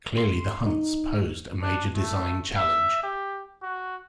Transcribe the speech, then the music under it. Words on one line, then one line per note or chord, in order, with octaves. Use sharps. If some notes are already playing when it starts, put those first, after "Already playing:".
Clearly the Hunts posed a major design challenge.
C6
D#4
D4
A3
E5
G4
F#4